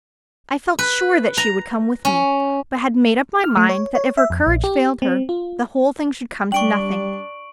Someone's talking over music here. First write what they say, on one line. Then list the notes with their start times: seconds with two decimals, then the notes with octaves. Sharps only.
I felt sure that she would come with me, but had made up my mind that if her courage failed her, the whole thing should come to nothing.
0.79 B4
1.37 A#5
2.05 C#4
3.44 F6
3.57 A3
3.69 C#5
3.95 C#5
4.17 E5
4.30 F2
4.47 A#1
4.64 G4
5.02 C4
5.29 F4
6.52 G3 D4 G5 C#6 D7 F#7